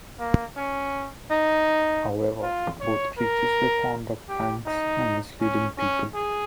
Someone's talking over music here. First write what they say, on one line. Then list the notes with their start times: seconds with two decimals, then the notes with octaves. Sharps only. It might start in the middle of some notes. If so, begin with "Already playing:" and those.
However, both creatures were fond of pranks and misleading people.
0.19 A#3
0.57 C#4
1.31 D#4
2.42 F4
2.81 C#5
3.18 A#4
4.29 G4
4.66 D#4
5.40 C#4
5.78 C#4
6.15 G#4